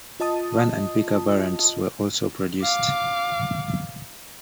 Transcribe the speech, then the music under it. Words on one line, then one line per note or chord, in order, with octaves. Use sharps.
Van and pick-up variants were also produced.
F4 D#5 A5 D#6
F5 D6